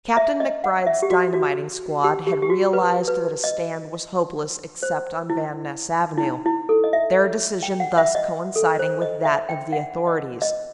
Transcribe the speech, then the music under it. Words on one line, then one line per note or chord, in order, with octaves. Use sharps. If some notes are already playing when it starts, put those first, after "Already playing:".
Captain MacBride's dynamiting squad had realized that a stand was hopeless except on Van Ness Avenue, their decision thus coinciding with that of the authorities.
E5
D#5
F#5
E5
G4
F#4
F#4
G4
G4
G4
F#4
B4
B4
D#5
C5
E4
E4
D#4
E4
A4
D#5
E5
G5
F#5
E5
D#5
A4
C5
D#5
E5
G5
F#5
D#5
D#5